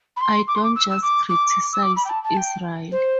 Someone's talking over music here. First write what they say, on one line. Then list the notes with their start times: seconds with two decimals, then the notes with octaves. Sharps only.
I don't just criticize Israel.
0.16 B5
0.21 C6
0.47 D6
0.55 C6
0.63 D6
0.75 E6
0.90 E6
1.02 D6
1.28 D6
1.73 E6
1.82 D6
1.96 B5
2.04 G5
2.09 A5
2.24 A5
2.36 G5
2.91 C5